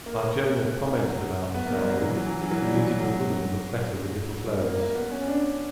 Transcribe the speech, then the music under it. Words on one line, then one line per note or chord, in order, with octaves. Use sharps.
Arjona commented about this album that music and women look better with little clothes.
A#3
F#3
B3
A#3
G3
F#3
E3
F#3
E3
E3
F#3
G3
E3
F#3
F#3
G3
A#3
A#3
A#3
B3
C#4
D4